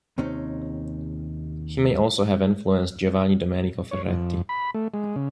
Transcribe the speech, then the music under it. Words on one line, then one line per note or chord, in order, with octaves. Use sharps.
He may also have influenced Giovanni Domenico Ferretti.
D#2 C3 C4 C#4 D#4
C#5
F2
B5
A3
G#3
C#3